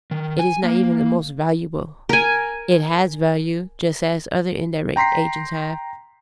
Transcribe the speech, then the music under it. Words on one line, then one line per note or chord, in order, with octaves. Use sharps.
It is not even the most "valuable"; it has value just as other indirect agents have.
D#3
G#5
A#3
A#4 G#5
G5 A#5 C6 B6 C7